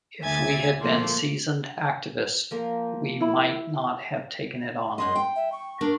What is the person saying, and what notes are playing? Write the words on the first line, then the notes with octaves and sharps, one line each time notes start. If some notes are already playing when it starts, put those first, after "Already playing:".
If we had been seasoned activists, we might not have taken it on.
D2 E5 G#5 G#6 A6
A#2 F3 A3 A#3 F4
F3 A#3 A#4
E4 B5
F#2 G#3 D#5 C6
G5
E5
C#6
D4 A#4